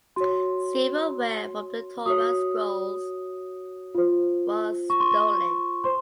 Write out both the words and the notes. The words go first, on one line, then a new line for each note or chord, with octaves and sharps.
Silverware from the Torah scrolls was stolen.
F#4 C#5 C6
F#4 C#5 D#6
F4 C5
C#6
C6
C#6
C5 C6